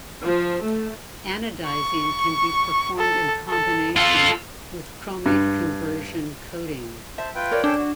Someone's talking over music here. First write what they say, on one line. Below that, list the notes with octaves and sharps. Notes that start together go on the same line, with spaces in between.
Anodizing can be performed in combination with chromate conversion coating.
F3
A3
C#6
A4
A4
F4 A4 F5
G2
C5 E5 A5
F4 B4 G5
A#4 C#5 D5
C#4 D4 A4 G5
F#4